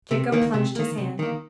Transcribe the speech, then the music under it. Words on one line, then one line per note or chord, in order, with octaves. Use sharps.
Jacob plunged his hand.
C3
D#3 A#3
C3
D#3 A#3
C3
D#3 A#3